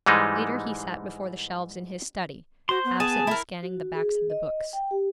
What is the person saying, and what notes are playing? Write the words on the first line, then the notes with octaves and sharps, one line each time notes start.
Later he sat before the shelves in his study, absently scanning the backs of the books.
G#2 E3 G3 G#3 D#4
F#4 C5 C6
B3
G#4 A5
E4 A#4
F#4
G#4
D#5
G5
G4